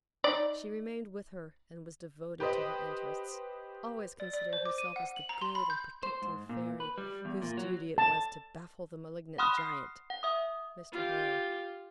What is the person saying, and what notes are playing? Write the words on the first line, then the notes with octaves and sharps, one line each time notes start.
She remained with her, and was devoted to her interests; always considering herself as the good and protecting fairy, whose duty it was to baffle the malignant giant, Mr. Hale.
D#4 D5
G4 B4 C5 D#5
D5
D5
C5
D6
D#7
F#5
F#7
A#5
C6
B5
G6
C5
G#2
A#2
B4
G3
E2
A#2
F#3
A5
F#5 B5 C6 D#6 F6 F#6
C7
F#5
E5 D#6
F4 G4